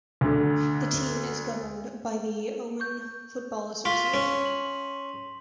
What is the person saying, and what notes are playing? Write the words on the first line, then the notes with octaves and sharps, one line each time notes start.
The team is governed by the Oman Football Association.
D2 D3
C#6 G6
F4 C6 C#6 B6
C#4
F#7